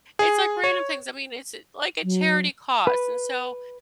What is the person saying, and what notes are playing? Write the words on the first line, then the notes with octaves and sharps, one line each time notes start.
it's, like, random things, I mean, it's a like, a charity cause, and so,
G#4
C#5
F#3
B4